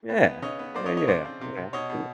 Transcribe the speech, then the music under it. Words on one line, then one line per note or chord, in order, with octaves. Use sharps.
Yeah. Yeah, yeah. Yeah. Absolute
B3
B3
C#3 C#5 D#5
B3
A#3 C5 D5
C#5 D#5
F3
C#5 D#5
C#3 C5 D5
C4
C3
C3
B2 C#5 D#5
B2